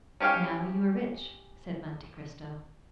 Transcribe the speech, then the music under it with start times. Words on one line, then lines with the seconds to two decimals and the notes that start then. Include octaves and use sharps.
"Now you are rich," said Monte Cristo.
0.20 C#4 G4 C#5 F5 G5